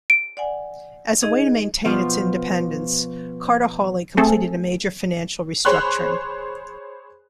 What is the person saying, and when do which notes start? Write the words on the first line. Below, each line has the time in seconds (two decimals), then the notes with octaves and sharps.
As a way to maintain its independence, Carter Hawley completed a major financial restructuring.
0.10 D7
0.37 D5 F#5 G#5
1.22 D#4 G#4 D#5
1.85 B2 F3 F4
4.17 A3 C4 G#4 A4
5.65 G#4 C5 C#5 B5 C6 F#6